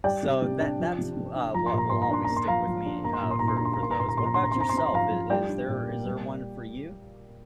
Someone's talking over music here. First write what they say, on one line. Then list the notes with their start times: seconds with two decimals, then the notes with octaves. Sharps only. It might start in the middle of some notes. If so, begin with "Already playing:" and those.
so that that's wh uh, what will always stick with me, uh, for for those. What about yourself? Is is there is there one for you?
0.04 G3 D5 G5
0.23 C3
0.42 C3
0.60 D4
0.79 F3
0.98 C3
1.17 C3
1.36 D4
1.54 F3 A#5
1.66 C6
1.73 A#2
1.78 A#5
1.90 A#2 C6
2.02 A#5
2.11 D4 C6
2.25 A#3 A#5
2.36 C6
2.48 F3 F5 A#5
2.67 F3
2.86 D4
3.04 A#3 A#5
3.13 C6
3.22 A#2 A#5
3.31 C6
3.39 A#2 A#5
3.48 C6
3.56 A#5
3.61 D4 C6
3.73 A#5
3.80 A#3 C6
3.91 A#5
3.99 A#2 C6
4.08 A#5
4.17 A#2 C6
4.25 A#5
4.34 D4 C6
4.43 A#5
4.51 C4 C6
4.61 A#5
4.69 C6
4.73 C4 A#5
4.86 C6
4.93 F3 F5 A#5
5.11 F3
5.30 G3 D5 G5
5.49 D4
5.68 A#2
5.86 A#3
6.05 G3